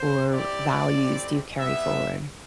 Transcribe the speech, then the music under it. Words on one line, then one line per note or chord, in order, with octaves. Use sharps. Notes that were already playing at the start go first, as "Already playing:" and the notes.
or values do you carry forward?
Already playing: C5
C4 E4 G4 D5
A3 C4 E4 G4
G3 B3 E4 E5